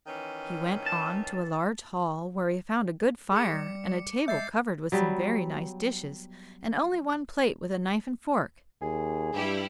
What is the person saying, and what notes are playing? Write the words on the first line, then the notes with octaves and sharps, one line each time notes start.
He went on to a large hall, where he found a good fire, and a table covered with some very nice dishes, and only one plate with a knife and fork.
D#3 E3 C#4
A5
G#4 D6 C#7
G3
G#3 E5 G6 A6 C7
F#3 G3 B3
D#2 G#4
G2 G3 E4 G4